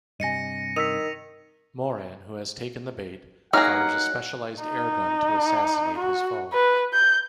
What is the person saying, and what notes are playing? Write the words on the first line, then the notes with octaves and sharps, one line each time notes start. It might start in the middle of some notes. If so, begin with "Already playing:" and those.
Moran, who has taken the bait, fires a specialized air-gun to assassinate his foe.
G2 C3 D#5 G#5 A#6 C#7 D#7
D#3 D#6 E6 B6 D#7 F7
F#3 A#3 D#4 G#4 F#5 F6
D#4
F#4
B4
G6